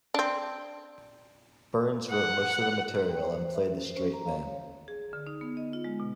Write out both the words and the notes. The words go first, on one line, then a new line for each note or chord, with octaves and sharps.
Burns wrote most of the material and played the straight man.
C4 D4
F#5
G5
C5
C5
E5
C#4
C5
C#4
A#5
F5
C#5
G#4
D3
D#4
B3
D#5
F4
G#3
B2